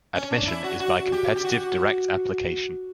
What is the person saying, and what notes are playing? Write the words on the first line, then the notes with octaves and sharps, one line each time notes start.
Admission is by competitive direct application.
C#4
D4
E4
F#4
F#4
G4
G4
F#4